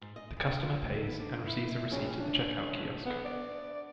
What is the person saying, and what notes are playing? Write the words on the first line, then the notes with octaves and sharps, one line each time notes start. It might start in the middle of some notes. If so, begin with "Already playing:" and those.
The customer pays and receives a receipt at the checkout kiosk.
G#2
D#5
F#2
G5
F3
A2
A4
B3
D4
E4
A#1 C#4 E4
C#4 D4
B3
D5